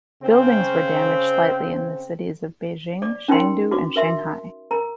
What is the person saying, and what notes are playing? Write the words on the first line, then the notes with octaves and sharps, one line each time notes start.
Buildings were damaged slightly in the cities of Beijing, Chengdu and Shanghai.
C#3 C4
D5 D6
C#4 D#4 F4 A#4 G5 C6
F#4 D6
A#4 E5 C6
A#4 A#5